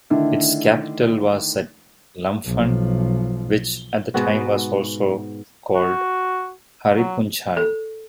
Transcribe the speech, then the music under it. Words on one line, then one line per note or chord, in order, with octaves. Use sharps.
Its capital was at Lamphun, which at the time was also called Hariphunchai.
D3 D#3 A3 D4 E4
B1 F3
G#2 B2 B3 F#4
F#4
F#3
A4